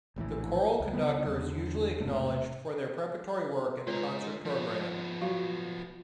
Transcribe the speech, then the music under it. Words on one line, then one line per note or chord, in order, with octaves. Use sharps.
The choral conductor is usually acknowledged for their preparatory work in the concert program.
A#1 A2 D#3 E3
C#2
C#3 G3 B3
E2 D3
E1 G#2 C3 A3
G#3 F4 B4 C#5 A#5
F3 B3
F#3 F#4 F5